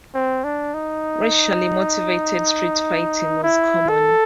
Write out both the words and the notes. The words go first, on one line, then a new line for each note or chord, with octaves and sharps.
Racially motivated street fighting was common.
C4
D4
D#4
E4
A4